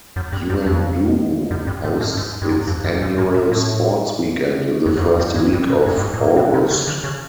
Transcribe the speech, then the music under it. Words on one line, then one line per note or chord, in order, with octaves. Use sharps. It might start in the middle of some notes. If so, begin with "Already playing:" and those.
Yuendumu hosts its annual sports weekend in the first week of August.
F#2
G2
F#2
F2
F#2
G2
G#2
A2
G#2
G2
F#2
F2
F#2
G#2
A2
A#2
A2
F2
F#2
F2
F#2
G2
G2
B2
G2
G2
G#2
A2
A#2
B2
C3
C#3
D3
C#3